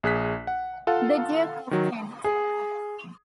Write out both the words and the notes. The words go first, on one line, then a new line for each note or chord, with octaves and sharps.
The Duke of Kent.
A#1 G#4 F#6 B6
F#5
F4 A4 F5 F#5
D#3 F#3
G#4